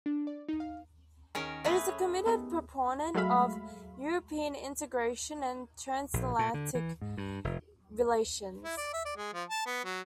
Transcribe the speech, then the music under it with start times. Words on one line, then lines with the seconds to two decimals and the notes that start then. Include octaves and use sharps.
It is a committed proponent of European integration and transatlantic relations.
0.06 D4
0.27 D5
0.49 D#4
0.60 F5
1.35 D#3 C#4 D#4 G#4 A#4
1.64 C#3 G#3 A3 B3 G#4 B4 E5 C#6
1.89 C#5
2.26 D#3 B3 G4 A4 B5
3.15 F#3 G#3 A3 E5 F5 B5
6.14 A#1
6.39 A#2
6.54 D3
6.75 E3
7.01 G#2
7.18 G2
7.44 F1
8.64 E4
8.77 D5
8.93 E5
9.05 D5
9.16 G#3
9.33 F3
9.49 A5
9.66 B3
9.84 F#3